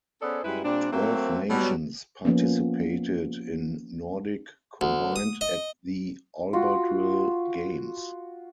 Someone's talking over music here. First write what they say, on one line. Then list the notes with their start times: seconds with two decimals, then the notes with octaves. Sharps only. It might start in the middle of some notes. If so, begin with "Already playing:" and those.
Twelve nations participated in Nordic combined at the Albertville Games.
0.22 B3 C#4 G#4 A4 C5 D5
0.44 F#2 G3 G#3 E4 B4
0.64 A#2 G3 C4 D4
0.92 F#3 A3 A#3 C4
1.50 B2 F#3 G3
2.25 F3 A#3 B3 C#4
4.81 D2
5.16 D#6
5.41 D#5
6.53 F4 F#4